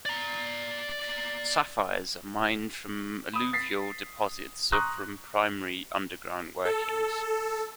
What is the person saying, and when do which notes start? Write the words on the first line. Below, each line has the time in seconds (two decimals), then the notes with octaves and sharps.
Sapphires are mined from alluvial deposits or from primary underground workings.
0.06 D5 A#5
3.34 B5 D#6
3.53 A6 B6 C7
4.72 A#5 C6 C#6 D#6 F#6
6.65 A4